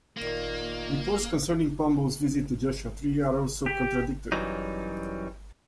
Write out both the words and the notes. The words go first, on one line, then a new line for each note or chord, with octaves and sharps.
Reports concerning Pombo's visit to Joshua Tree are also contradictory.
A#2 D#3 A#3
G4
F#2 E3 F#3 G3 D#4